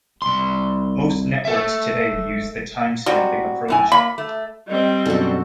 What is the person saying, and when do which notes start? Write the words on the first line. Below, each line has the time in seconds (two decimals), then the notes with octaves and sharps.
Most networks today use the timestamping approach.
0.22 C2 C6
1.45 A4 E5
3.06 C3 G3 F#4
3.68 F#2 A2 G#5
3.92 A#3 B5
4.18 A3
4.68 G3 C4 D#5
5.06 F#2 B2 D4 F#4 A4